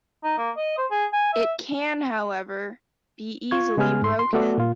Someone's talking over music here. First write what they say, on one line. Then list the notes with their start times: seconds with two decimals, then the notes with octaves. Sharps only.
It can, however, be easily broken.
0.24 D#4
0.38 A#3
0.57 D#5
0.77 C5
0.91 G#4
1.13 G#5
1.33 E5
3.51 F4 C#6 G#6
3.77 C#3 G#3 B3 G#4 G#5 F6
4.02 G#2 C6
4.19 C6
4.33 A3 B3 F#4 A4 D5
4.58 A#2 F4